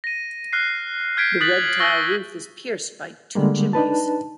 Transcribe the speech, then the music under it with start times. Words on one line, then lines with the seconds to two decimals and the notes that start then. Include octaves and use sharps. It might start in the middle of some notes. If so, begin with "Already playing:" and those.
The red tile roof is pierced by two chimneys.
0.04 A#6 D#7
0.53 F6 F#6 C7
1.17 F6 G6 G#6 B6 C7 D7
1.41 D#6 F#6 A6 B6 F#7
1.80 C#6 E6 A#6 G7
3.35 D3 G3 G#3 A#3
3.73 D4 D#4 B4 A5